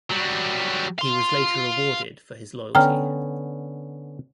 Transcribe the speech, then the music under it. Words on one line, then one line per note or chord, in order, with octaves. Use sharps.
He was later rewarded for his loyalty.
F#3 G3
F5 C6
D3 B3 C#4 G5 A#5 F6